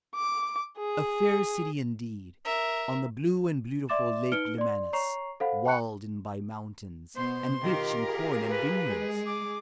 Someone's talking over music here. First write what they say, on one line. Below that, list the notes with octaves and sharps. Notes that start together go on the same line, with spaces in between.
"A fair city indeed, on the blue and beautiful Lake Lemanus, walled in by mountains, and rich in corn and vineyards."
D6
G#4
A#4 E5
D5 E5 C6 D6 A6 E7
D#4 B4 F6 C#7 D7 G7
D5 C6
C#5 A#5 C#6 C7 F7
A4 C5 F5 F#5 B5
G5 B5 C#6 F#6 C#7
B2 B3 C5 C6
D#3 F4 G4 A#4
G#4
B4
G#3 G#4
D6